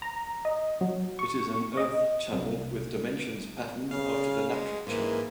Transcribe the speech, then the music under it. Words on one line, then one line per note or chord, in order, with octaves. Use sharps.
It is an earth channel with dimensions patterned after the natural channel.
A#5
D#5
F#3
C#6
D#5
C2
C#3 F5
G#3
G#2 E3 A#3